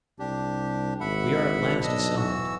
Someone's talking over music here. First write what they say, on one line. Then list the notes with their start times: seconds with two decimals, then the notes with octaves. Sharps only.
We are at last assembled.
0.19 C2 D4 G4
1.01 G#1 E5 F#5 B5
1.83 B1 D4 D#5 E6
2.16 E3 F#4 E6